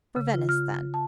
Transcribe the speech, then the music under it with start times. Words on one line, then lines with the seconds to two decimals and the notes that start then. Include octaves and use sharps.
'For Venice, then.
0.16 C#3
0.34 F4
0.49 F6
0.94 A5